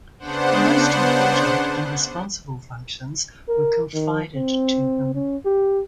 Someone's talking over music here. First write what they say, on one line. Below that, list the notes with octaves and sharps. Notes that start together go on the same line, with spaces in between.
The most important and responsible functions were confided to him.
C#3 B3 D4 C5 F#5
A#4
D#3
C4
C#4
G4